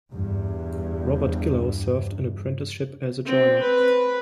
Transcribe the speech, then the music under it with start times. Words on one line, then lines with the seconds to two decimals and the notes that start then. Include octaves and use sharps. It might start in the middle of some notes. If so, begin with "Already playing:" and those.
Robert Gillow served an apprenticeship as a joiner.
0.12 E2 G2
3.26 C4
3.61 B4